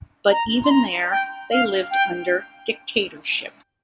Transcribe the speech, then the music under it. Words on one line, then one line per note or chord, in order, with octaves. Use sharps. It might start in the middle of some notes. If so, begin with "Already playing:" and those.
But even there, they lived under dictatorship.
A#5
C6
A#5
G5
F5
G5